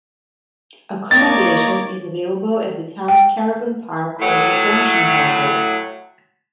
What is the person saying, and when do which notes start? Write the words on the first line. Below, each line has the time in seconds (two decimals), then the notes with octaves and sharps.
Accommodation is available at the town's caravan park or the Junction Hotel.
1.11 A#3 C#5 D#5 D6 A6
3.08 G5
4.20 A2 F#3